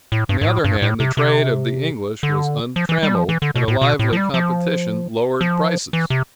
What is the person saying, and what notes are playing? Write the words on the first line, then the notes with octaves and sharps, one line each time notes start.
On the other hand, the trade of the English was untrammeled, and a lively competition lowered prices.
A2
G2
G2
A2
G2
A2
C3
C3
D3
F3
E3
G3
F3
E3
D3
B2
A2
B2
A2
F3
G3
F3
F3
E3
C3